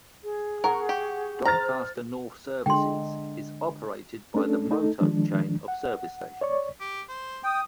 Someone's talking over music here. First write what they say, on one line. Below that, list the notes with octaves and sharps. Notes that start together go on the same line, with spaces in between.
Doncaster North services is operated by the Moto chain of service stations.
G#4
A#4 F#5 C#6
G4
C5 A#5 F6 A6
D3 G#3 G5 C6
A3 C#4 D4 A4
A3 D#4 A4
D#3 F3 G#3 D4
F#5
C#5 D5 C#6
G4
C5
G5 D#6